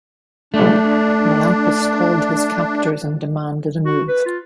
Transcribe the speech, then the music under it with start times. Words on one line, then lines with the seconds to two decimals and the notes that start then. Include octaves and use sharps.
Melampus called his captors and demanded a move.
0.54 A3 D4
3.86 F#4
4.08 B4
4.26 F4